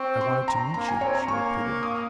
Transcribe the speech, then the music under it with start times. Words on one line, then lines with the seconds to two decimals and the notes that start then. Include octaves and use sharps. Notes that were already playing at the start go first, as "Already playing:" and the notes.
"I wanted to meet you," she repeated.
Already playing: C4 C#6
0.21 C6
0.48 A#5
0.74 A#3 A#5
0.88 G#5
1.01 C4 C#5
1.15 A#5
1.28 A#3 C#6
1.83 D#6